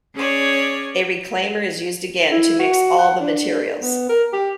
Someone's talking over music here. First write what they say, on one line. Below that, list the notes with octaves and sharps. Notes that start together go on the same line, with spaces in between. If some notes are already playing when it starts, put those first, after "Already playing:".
A reclaimer is used again to mix all the materials.
C#4 G#4 C#5 D5
E4
F#4
F#5
D4
B3
A#4
G4